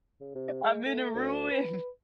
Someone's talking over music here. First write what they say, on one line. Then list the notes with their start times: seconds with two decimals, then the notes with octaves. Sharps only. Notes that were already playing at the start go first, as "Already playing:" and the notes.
I'm in a ruin.
0.21 C#3
0.35 C3
0.64 G#3
0.86 A3
1.15 D2
1.51 B4